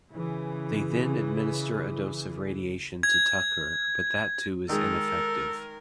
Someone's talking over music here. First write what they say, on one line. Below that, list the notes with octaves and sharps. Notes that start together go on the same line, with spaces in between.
They then administer a dose of radiation to Tucker, but that too is ineffective.
C#3 E3
G#6
D#3 G#3 A4 A#4